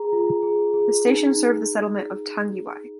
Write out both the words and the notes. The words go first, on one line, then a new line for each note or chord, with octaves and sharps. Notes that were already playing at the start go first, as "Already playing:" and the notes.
The station served the settlement of Tangiwai.
Already playing: G#4 A#5
F4
G#4
G#4
D#4
D#4